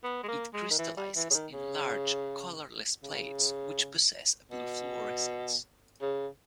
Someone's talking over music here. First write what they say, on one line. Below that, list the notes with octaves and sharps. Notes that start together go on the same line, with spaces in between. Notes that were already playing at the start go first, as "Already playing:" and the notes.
It crystallizes in large colorless plates which possess a blue fluorescence.
B3
G#3
A#3
G#3
D#3
E3
G3
E3
C#3
D#3
C#3
C#3
B2
C#3